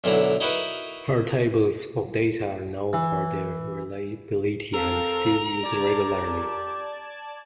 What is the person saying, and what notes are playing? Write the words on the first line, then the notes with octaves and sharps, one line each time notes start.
Her tables of data are known for their reliability and still used regularly.
B1 F#2 D3 E4 A#5
D#4 E4 F#4 A#4 B4
E3
C4 A4 A#4 F5 A5
G4 D5 A5 G#6